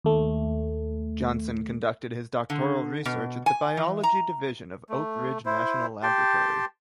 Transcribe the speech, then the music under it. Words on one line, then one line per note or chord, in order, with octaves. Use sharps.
Johnson conducted his doctoral research at the biology division of Oak Ridge National Laboratory.
D#2 A3
D3
B2
G#5
E3
A#5
A3
E4 C5
G4 G5 A5 C6